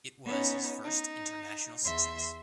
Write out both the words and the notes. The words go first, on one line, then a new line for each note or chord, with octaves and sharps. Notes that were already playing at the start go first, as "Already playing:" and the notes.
It was his first international success.
B3 C#4 D#4
D#4
E2 E5 C6